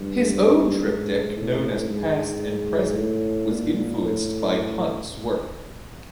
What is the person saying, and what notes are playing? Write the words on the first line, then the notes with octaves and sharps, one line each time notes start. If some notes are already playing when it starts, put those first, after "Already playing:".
His own triptych, known as "Past and Present", was influenced by Hunt's work.
Already playing: G2
G#2
A2
G#2
A2
A#2
A2